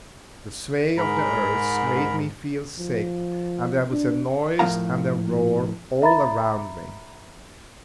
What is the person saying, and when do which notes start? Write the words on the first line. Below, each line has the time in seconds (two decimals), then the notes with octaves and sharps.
The sway of the earth made me feel sick; and there was a noise and a roar all around me.
0.98 G#2 A#4 A#5 B5
2.78 F3
3.91 D4
4.59 A2 F3 A#3 A#4 F5 A#5
6.02 E5 A#5 B5 A6